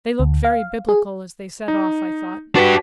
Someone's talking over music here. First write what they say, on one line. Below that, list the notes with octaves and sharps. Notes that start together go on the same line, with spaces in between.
They looked very Biblical as they set off, I thought.
D2
F5
G#4
D#4
D4 F#4 G4 B4 B6